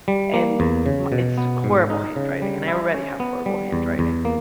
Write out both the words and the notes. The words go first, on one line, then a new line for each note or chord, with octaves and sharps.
and my it's horrible handwriting, and I already have horrible handwriting,
G3
A#3
E2
C#3
B2
B3
G#2
D#4
C#3
G3
E4
C#4
B3
G3
E2
E2
A#3